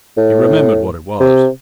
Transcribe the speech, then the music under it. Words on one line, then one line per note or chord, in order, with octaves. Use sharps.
He remembered what it was.
A2
C3